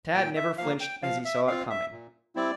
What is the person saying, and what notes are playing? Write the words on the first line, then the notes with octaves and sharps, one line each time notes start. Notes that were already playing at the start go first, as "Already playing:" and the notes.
Tad never flinched as he saw it coming.
A#2 G5
E5
F3 A#3 F5
G5
F3 F5
E5
C4 F4 F5
E5
A#2
G3 C4 E4 D5